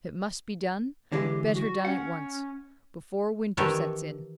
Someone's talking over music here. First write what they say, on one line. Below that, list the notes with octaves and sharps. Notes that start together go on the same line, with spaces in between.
If it must be done--better done at once, before winter sets in.
D3 E3 G#3 G4
F#4
C#4 F#5
D#3 E3 D4 D#4 G4 C#5